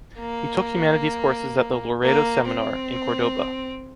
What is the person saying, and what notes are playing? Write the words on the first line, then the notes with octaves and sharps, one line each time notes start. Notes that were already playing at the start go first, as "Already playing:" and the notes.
He took Humanities courses at the Loreto Seminar, in Córdoba.
A#3
A#3
C4